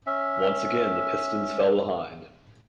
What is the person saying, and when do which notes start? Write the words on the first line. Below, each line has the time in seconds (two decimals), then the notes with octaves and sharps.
Once again, the Pistons fell behind.
0.07 C#4 E5